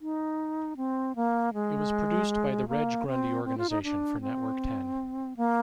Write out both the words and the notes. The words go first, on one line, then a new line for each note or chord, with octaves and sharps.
It was produced by the Reg Grundy Organisation for Network Ten.
D#4
C4
A#3
G#3
A#3
C4
C4
F4
D#4
D4
C4
A#3